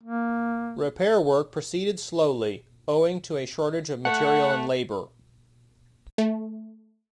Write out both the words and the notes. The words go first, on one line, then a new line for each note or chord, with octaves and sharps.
Repair work proceeded slowly, owing to a shortage of material and labor.
A#3
A3 F#5
A3